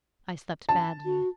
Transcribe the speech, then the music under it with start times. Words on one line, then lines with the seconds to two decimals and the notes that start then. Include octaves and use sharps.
I slept badly.
0.69 A5
1.05 F#4